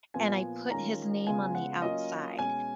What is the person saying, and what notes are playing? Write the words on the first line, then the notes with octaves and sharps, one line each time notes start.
and I put his name on the outside,
A#2 F3 B3 F4 G#5
D#3 G#3 C#4 F4 A#5
C#3 G#3 B3 F4 G#5
F#5
F#3 A#3 C#4 F4 D#5
B2 G#3 C#4 G#5